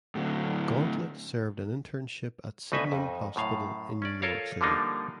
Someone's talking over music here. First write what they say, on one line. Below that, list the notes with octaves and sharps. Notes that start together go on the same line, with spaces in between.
Gauntlett served an internship at Sydenham Hospital in New York City.
A2 D3
D2 B2 D#4 B4 E5 G#5
F2
F#2 A2 F5
C#4 D5
F4 A4 A#4 C#5 F5
D3 F3 G3 A#3 D4 D#4